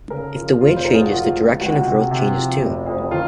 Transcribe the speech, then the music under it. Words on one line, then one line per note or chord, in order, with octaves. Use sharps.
If the wind changes, the direction of growth changes too.
C#3 A#4
F3
F1 F4
C5
F2 A#4
G#4
F#4
F3 F4
C#2
C#2 F#4
C3
C3
F3
F1
F2
D#3 F4